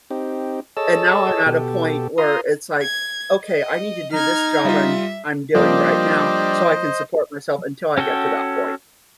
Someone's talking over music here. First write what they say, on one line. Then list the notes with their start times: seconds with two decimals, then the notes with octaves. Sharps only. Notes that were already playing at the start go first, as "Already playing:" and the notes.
and now I'm at a point where it's, like, okay, I need to do this job I'm I'm doing right now, so, I can support myself until I get to that point.
0.11 C4 D#4 G4
0.77 G#4 A4 C#5 D#5 A5 E6
1.46 B2 G4 A4
2.18 F4 A#5 C6 D#6
2.82 G#6
3.44 D#5
4.13 D#4 F6 G#6
4.65 G3 F4 E5
5.55 F3 G3 A#3 D4 C5 D#5
7.98 C#4 F#4 A4 G5